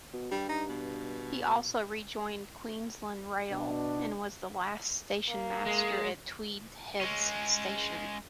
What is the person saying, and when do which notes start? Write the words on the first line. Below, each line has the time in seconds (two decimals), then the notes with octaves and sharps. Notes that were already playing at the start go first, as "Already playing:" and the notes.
He also rejoined Queensland Rail and was the last stationmaster at Tweed Heads station.
0.13 B2
0.31 G2 G3
0.49 D#4
0.70 B2
3.51 B2 D4
5.29 A#3
5.66 G#3
7.02 G#3 C#4